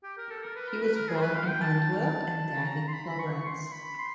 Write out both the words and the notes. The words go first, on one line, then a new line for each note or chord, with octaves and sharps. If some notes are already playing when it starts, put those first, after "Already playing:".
He was born in Antwerp and died in Florence.
G4
A#4
A4
A#4
B4
A#4
B4
A#4
G#4
C5
B4
F5
G5
A5
A#5
C6
B5
C#6
C6
B5
C6